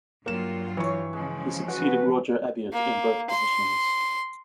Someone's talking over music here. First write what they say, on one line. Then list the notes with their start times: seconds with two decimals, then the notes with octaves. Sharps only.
He succeeded Roger Abiut in both positions.
0.26 G2 F#3 A#3 F4 G5 E7
0.77 E3 C#5 C#6
1.13 C#3 F3 G#3
1.69 F#4 B4
2.73 A#3
3.30 C6